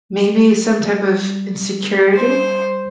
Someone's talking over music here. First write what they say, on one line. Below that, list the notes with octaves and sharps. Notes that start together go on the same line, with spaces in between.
maybe some type of insecurity.
G3
C5